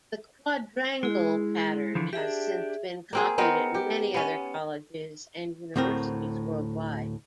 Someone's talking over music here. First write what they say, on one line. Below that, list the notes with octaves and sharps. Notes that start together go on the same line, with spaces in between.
The quadrangle pattern has since been copied at many other colleges and universities worldwide.
G#3 E4 G#4
D3 E3 F3
D4 G4 G#4 E5
A#3 C4 G#4
B3 C4 D#4 A#4
G4
B3 C#4
D2 A2 C4 A#4